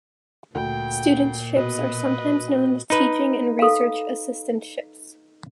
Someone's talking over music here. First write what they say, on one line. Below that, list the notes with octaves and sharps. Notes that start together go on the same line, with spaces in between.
Studentships are sometimes known as teaching and research assistantships.
D2 A#2 G5
B2 B4 D#5
D#4 B4
A4 F5